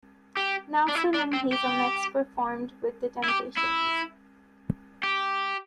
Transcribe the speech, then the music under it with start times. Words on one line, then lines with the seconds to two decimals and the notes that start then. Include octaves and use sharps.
Nelson and Hazel next performed with The Temptations.
0.37 G4
0.88 D4
0.95 E4
1.14 D4
1.33 C4
1.52 G4
3.24 E4
3.28 G4
3.57 E4
5.03 G4